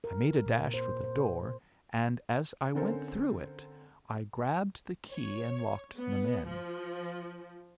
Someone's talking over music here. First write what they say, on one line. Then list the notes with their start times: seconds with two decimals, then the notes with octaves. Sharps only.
I made a dash for the door, and as I went through it I grabbed the key and locked them in.
0.04 A#4
0.46 A#2
0.74 C5
1.04 C5
2.75 D3 C4 C#4 A4 A#4 C5
5.11 C#5
5.97 B3
6.46 F3